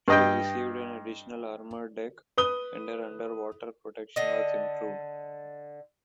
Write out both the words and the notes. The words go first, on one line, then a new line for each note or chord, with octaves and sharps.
She received an additional armored deck, and her underwater protection was improved.
G2 D#5 G5
B4 D#6 G7
D3 D#5